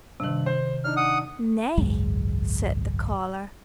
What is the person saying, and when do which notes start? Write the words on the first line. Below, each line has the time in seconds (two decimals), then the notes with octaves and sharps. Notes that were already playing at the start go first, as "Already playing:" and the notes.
"Nay!" said the collar.
0.20 G2 C3 D#3 F#7
0.46 C5
0.84 D4 D#4 F6
0.97 F#5 D#6
1.77 G#1 C#2 F#2 G#3